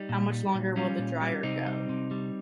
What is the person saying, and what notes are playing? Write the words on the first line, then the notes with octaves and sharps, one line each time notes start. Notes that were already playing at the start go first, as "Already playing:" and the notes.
How much longer will the dryer go?
Already playing: G3 D#4 G4
A#2
G3
A#2
G3 C#4 F4
A#2
G3
C3 C4 D#4
G3
C3
G3